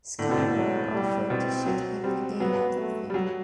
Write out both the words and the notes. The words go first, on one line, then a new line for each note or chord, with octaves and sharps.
Scarborough offered to shoot him in a gay adult film.
A2 D3
B2
A2
F#3
G3
B2 C4
F#3
G3 C4
F#3 B3
A3
G3
F#3